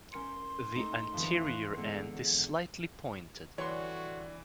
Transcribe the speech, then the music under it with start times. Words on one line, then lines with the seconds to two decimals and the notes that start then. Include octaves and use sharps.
The anterior end is slightly pointed.
0.13 C#4 A#4 C6 C#7
0.76 A3 D#4
1.14 F2 E3
1.44 C#6 F#6 A#6
1.76 E2 D3 G#3
3.58 D3 E3 G3 F#4 C#5 C6